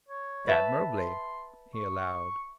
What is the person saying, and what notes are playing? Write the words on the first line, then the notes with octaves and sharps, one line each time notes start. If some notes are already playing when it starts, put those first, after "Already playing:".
"Admirably," he allowed.
C#5
B4 E5 A5
C6
C#6